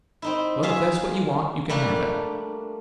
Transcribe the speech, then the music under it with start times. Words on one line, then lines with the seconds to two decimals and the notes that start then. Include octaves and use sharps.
Well, if that's what you want, you can have it.
0.22 C4 D#4 E4
0.63 F4 G#4 E5 F5
1.69 G3 A3 A#3 D4